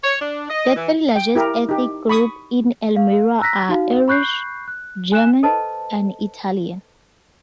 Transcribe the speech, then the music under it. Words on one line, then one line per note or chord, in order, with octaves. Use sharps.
The three largest ethnic groups in Elmira are Irish, German and Italian.
C#5
D4
D#5
E3
G5
E4 G4 A#4
D#4 G4
B5 C#6 D#6
F5
A#5 E6 F#6 A#6 B6
D#4 F#4 F5
B5 C#6 F#6 G6 C7
F#6
G#5 F#6 E7
A4 B4 C5 D#5 A5